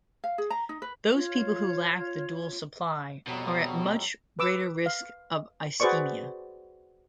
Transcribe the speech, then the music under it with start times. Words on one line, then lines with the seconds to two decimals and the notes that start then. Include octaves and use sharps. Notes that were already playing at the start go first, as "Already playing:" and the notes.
Those people who lack the dual supply are at much greater risk of ischemia.
0.24 F5
0.38 G#4
0.50 A#5
0.69 D#4
0.82 B4
1.13 F4 C#5
3.27 F2 B2 F#3 G3
4.39 B4 D6 E6
4.86 F5
5.80 F#4 G#4 B4 C5 D5 C#6